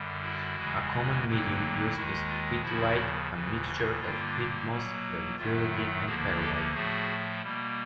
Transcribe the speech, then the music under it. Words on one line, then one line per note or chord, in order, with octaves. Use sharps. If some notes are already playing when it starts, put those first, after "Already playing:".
A common medium used is 'peat-lite', a mixture of peat moss, vermiculite, and perlite.
Already playing: F#2 D3 G3
E4 F#4
E2 C#3 E3 G#3
F2 D3 F#3 A#3
D#2 D#3 G#3 E4 F#4
F4
D#2 C#3 F3 E4 F#4
D#2 C#3 E3
G2 D3 G3 A#3 F4
B2 F#3 A#3
F#2 D#3 F#3 A3 F4
E4
D2 D3 F3 A#3 F#4 G#4
G4 A4
A2 F3 A3 F#4 G#4
B2 G3 A#3